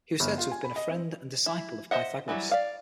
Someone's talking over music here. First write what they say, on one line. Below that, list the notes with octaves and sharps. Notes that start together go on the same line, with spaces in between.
He was said to have been a friend and disciple of Pythagoras.
G1
F4
G#5
B5
D#5
C4
E4
C5 D#5 E5 F#5
E3 F#3 G3 E4
D5 F5